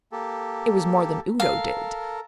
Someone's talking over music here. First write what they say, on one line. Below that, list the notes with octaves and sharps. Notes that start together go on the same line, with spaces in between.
It was more than Udo did.
A#3 G4 A4
A4 A#4 F5